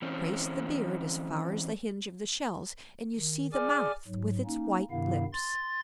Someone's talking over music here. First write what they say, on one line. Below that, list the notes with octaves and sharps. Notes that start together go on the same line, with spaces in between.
Trace the "beard" as far as the hinge of the shells, and you see the mouth with its white lips.
E3 C4 C#4
D#3
G#4 D5 G#5 D6 F6
G#2 F#3
A#3 C#4 D#4
G2 C3 D#3 B3 E4 F5
C6 A6